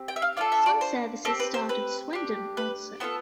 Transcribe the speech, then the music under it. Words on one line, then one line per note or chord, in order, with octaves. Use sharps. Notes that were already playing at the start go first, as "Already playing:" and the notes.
Some services start at Swindon also.
Already playing: C4 G4
G5
E5
F5
D4 F4 A4 F5
E5
D5
C5
C4 G4 A4
B4
C5
B4
D4 G4
B4
B3 F4 A4 C5